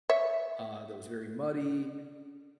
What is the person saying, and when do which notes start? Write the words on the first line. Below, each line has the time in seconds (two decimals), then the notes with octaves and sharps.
uh, that was very muddy
0.10 C#5 E5